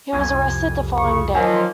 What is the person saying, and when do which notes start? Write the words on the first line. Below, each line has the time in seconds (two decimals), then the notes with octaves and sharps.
He was arrested the following day.
0.13 C2 F2 G#5
0.97 C#3 C#6
1.35 D#3 F3 F#3 A#3 G#5